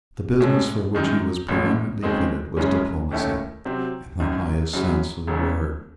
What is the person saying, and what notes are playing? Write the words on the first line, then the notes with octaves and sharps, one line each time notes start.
The business for which he was preeminently fitted was diplomacy, in the highest sense of the word.
A2 G#3 C#4
F#2 D#3 G#3 D#4
A1 A2 G#3
D#2 C#3 G#3 C4 D#4
F#1 F#2 C#3 G#3 C#4
D#2 D#3 A3 C#4 E4
C3 F#3 C4
G#1 F#2 D#3
F#2 C#3 F#3
E1 D#2 C#3